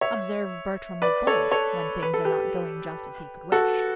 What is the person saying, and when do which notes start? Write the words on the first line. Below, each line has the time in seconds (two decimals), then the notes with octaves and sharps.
Observe Bertram the Bull when things are not going just as he could wish.
0.01 C#5 E5
1.02 B4 D5
1.27 A4 C#5
1.52 A4 C#5
2.02 B4
2.14 A4
2.25 G4 B4
3.52 F#4 A4